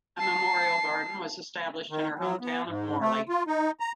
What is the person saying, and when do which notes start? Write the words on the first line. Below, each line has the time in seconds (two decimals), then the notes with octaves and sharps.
A memorial garden was established in her home town of Morley.
0.17 A5 C7
1.90 D#3
2.19 F#3
2.41 B3
2.68 G#2
3.00 A3
3.29 F4
3.47 D#4
3.80 A#5